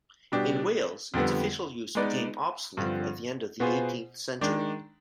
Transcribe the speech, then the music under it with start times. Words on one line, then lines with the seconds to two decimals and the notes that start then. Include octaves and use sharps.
In Wales, its official use became obsolete at the end of the eighteenth century.
0.32 B2 G3 D4 G4
1.14 F2 D3 G3 B3
1.95 G#3 B3 D#4 B4 D5
2.77 G2 D3 F3 C4
3.60 B2 B3 F4 G#4 C5
4.41 D#3 G#3 D4